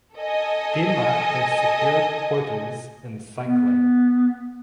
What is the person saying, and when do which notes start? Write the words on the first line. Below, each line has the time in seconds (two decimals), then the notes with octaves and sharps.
Denmark have secured quotas in cycling.
0.18 A4 D#5 G#5
3.44 B3